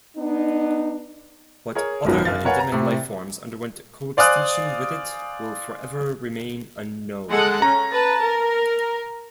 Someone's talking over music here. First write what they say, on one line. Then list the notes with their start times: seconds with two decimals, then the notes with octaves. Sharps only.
What other endemic lifeforms underwent coextinction with it will forever remain unknown.
0.17 B3 D4 D#4
1.75 G#4 A#4 C#5
2.05 G#1 C#2 F#2 B2 D#3 F#3
2.25 F#2 F5 A6
2.45 A#4 B4 C#5 F5 F#5 G#5
2.59 A#5
2.72 A2 C3
4.17 C5 D5 F5 G#5 D#6 F#6
7.29 G#3 A4 F#5
7.62 C#4 A#5
7.92 B4 A5
8.22 A#4